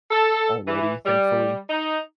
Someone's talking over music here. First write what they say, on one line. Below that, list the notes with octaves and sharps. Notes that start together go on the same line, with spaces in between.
already, thankfully.
A4
E3
G3
D#4